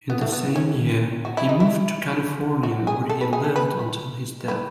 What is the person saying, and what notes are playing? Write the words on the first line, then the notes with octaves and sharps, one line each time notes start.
In the same year he moved to California, where he lived until his death.
B3
A3
B3
C#4
F#4
E4
D#4
E4
F#4
G#4
A4
B4
G#4
A4
B4
B4